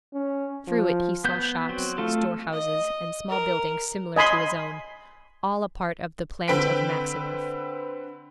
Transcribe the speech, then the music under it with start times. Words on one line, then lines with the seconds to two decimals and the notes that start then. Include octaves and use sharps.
Through it he saw shops, store-houses, and small buildings similar to his own, all a part of the plant of Maxineff.
0.13 C#4
0.67 F3
1.25 B3 G6
1.69 F#3 C4
1.98 A3 F4 A4
2.52 D#5
3.29 A#4
4.16 D#5 G#5 B5 C6
6.48 D3 C4 B4 G5 B6 D7